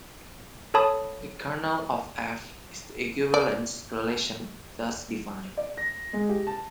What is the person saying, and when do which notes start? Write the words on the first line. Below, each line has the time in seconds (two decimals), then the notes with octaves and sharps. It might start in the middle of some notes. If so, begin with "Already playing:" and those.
The kernel of "f" is the equivalence relation thus defined.
0.74 A4 C#5 A5 B5 D#6
3.34 D5
5.57 D5
5.78 A#6
6.13 G#3
6.29 G4
6.47 A5